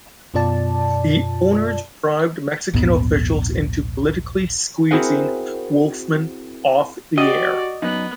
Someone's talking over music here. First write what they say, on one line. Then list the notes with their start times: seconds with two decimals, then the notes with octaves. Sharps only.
The owners bribed Mexican officials into politically squeezing Wolfman off the air.
0.34 F#2 B2 F4 D5 A5
2.74 A#1 D#2 G#2 B3
4.91 C4 E4 F#4 G#4 A#4 F#5
7.18 F#4 G4 D5 D#5
7.82 F#2 B3 D#4